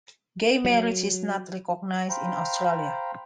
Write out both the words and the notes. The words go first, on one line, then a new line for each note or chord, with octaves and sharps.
Gay marriage is not recognised in Australia.
F#3
C5 F5 G5 A#5 B5